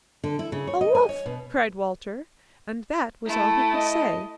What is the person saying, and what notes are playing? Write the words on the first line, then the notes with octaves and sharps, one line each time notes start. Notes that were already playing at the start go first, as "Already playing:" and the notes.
A wolf!' cried Walter, and that was all he could say.
D3
E4
C#3
C#5
D#5
G#5
C#5
B2
A3 E4
D#5